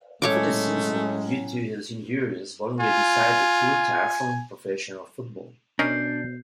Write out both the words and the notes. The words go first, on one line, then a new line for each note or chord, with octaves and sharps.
After the season, due to his injuries Bollinger decided to retire from professional football.
A2 F#3 G#3 A3 C#4 C#5 C#6 D6
F4 G#5
B2 C#4 D4 A#4 D#5 G6 C7